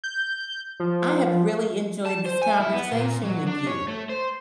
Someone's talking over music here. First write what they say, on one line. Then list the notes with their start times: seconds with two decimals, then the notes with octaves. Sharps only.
I have really enjoyed this conversation with you.
0.04 G6
0.80 F3
2.06 A5
2.26 C5
2.42 G#5
2.60 E4
2.73 B3
2.92 A#2
3.24 F#3
3.47 D4
3.67 C#5
3.88 A3
4.09 C5